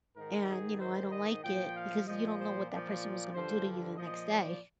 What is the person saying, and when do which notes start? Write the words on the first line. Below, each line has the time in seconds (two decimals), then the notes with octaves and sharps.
And, you know, I don't like it because you don't know what that person was gonna do to you the next day.
0.17 G#2 D#3 A#4
0.49 G#4
0.80 G#2 D#3 C5
1.12 D#5
1.44 A#2 F3 G5
1.76 F5
2.07 A#2 F3 D#5
2.39 C5
2.71 A#2 F3 D5
3.34 G2 D3 F3 C5
3.98 A#2 F3 D#5
4.29 D5